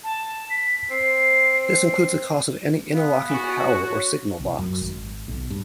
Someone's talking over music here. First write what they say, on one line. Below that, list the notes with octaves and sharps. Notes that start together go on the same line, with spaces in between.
This includes the cost of any interlocking tower or signal box.
A5
B6
C4 C7
B3 F5
F#4 G#5
C#5
C2
F#2
G#1
B1
G2